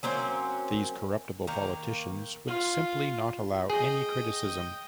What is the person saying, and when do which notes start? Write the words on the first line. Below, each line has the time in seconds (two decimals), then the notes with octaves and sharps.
These corruptible politicians would simply not allow any criticism...
0.03 F#3 A#3 C4 C#4
1.47 D#3 A#3 A#4
2.47 F4
3.70 G#4 D#5 G5